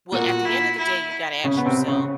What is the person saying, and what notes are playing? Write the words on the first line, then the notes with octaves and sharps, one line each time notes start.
well, at the end of the day, you gotta ask yourself,
A#2 A#3 F#4
E4
E4
C#3 C#4
B3
C3 C4
C#3 C#4